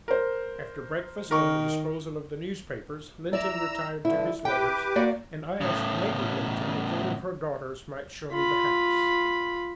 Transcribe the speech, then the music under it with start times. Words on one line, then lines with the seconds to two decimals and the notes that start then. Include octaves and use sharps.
After breakfast and the disposal of the newspapers, Lynton retired to his letters, and I asked Lady Lynton if one of her daughters might show me the house.
0.08 A#4 C5
1.31 D#3 A#4 C#6
3.33 E4 D5 A#5 E6
4.05 G2 D3 E4
4.45 G4 B4 G5 D6
4.95 A#3 F#4 D5
5.61 A2 C#3
8.32 F4 B5